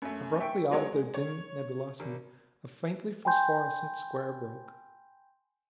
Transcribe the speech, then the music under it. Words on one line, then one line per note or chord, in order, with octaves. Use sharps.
Abruptly out of their dim nebulosity a faintly phosphorescent square broke.
F#2 A3
E5 G5 C#6 D7
D3 F#3 G#3 B3 C4 C#5
G#3
C#5
G#1
G5 G#5 B5 C6 G6